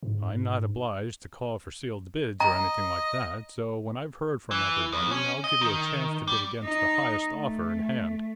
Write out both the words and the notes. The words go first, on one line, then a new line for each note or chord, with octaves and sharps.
I'm not obliged to call for sealed bids, or anything like that, so when I've heard from everybody, I'll give you a chance to bid against the highest offer in hand.
G#2
D#5 A#5
E3
F2
C#4
D#5
D#3
G3
D#4
A3